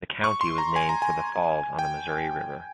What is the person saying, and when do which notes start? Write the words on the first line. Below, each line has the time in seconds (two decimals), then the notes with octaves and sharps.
The county was named for the falls on the Missouri River.
0.24 C#6
0.41 C6
0.58 A#5
0.76 G#5
0.89 A#5
1.02 G#5
1.79 G5